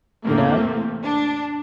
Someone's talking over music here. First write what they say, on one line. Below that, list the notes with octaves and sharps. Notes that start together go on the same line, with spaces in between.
You know?
E2 A2 C3 A3 A#3 C4
D4